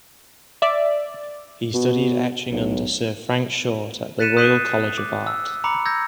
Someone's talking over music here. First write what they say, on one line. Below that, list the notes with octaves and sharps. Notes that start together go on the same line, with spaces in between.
He studied etching under Sir Frank Short at the Royal College of Art.
D5 E5
B2
B1
F#6 A6 B6 C#7 D#7 E7
D#6 F#6 G6 B6 C7 D#7
D6
E6
A#5 B5 D6 C#7
E6 G6 G#6 A#6